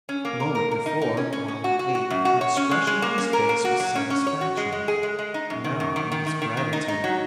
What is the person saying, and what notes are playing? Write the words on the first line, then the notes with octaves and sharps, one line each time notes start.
The moment before, while he ate, the expression in his face was satisfaction; now it was gratitude.
C#4
A#3
A#4
A#4
A#4
D#4
D#4
C#4
C#4
C#4
F#4
F#4
F#4
F#2
F#4
C#5
C#4
G#3
G#3
A#3
C#4
A#4
A#3
F#4
F#3
C#4
C#4
C#5
F#4
G#3
G#3
G#4
G#3
G#3
D#4
F#2
D#3
F#2
D#3
D#3
D#3
D#3
D#3
D#4
D#4
F#3